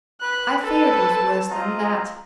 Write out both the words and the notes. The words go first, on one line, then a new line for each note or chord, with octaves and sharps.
I fear it was worse than that.'
B4 B5 F#6
C4 A4 B4 A5
C4 F4 D#5 A#5